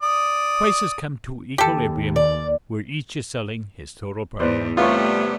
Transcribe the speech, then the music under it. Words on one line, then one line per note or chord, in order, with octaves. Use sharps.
Prices come to equilibrium where each is selling his total product.
D5 D#6
D#2 G4 A4
D5
E2 G#2 B4 C5 D5
C3 G3 A3 B3 F4 C#5 E5